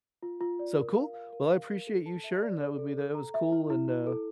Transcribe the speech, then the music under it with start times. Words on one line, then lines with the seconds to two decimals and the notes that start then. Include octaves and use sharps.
So, cool. Well, I appreciate you sharing that with me that it was cool and, uh,
0.23 F4
0.41 F4
0.59 D5
0.78 A#4
0.96 F5
1.14 F5
1.33 A#4
1.51 F5
1.69 A#4
1.87 A4
2.06 A5
2.24 E5
2.42 D5
2.60 A4
2.79 A4
2.98 A4
3.15 A#5
3.34 E5
3.52 E4
3.70 E4
3.88 E4
4.07 A4